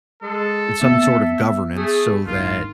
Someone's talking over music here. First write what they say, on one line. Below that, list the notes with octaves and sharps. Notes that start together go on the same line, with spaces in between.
and some sort of governance so that,
G#3 A4
B3 E4 E5
A3 G#4
G#1 D#3 D4 F4